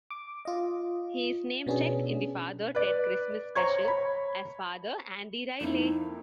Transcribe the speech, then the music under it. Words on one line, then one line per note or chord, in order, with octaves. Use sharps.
He is namechecked in the "Father Ted Christmas Special" as 'Father Andy Riley'.
D6
F4 D#5
B2 B3 C#4 D4 G#4
B4 D5
C5 C#5 A#5 C#6 G#6
C#5 B5
F2 A#3 D#4 E4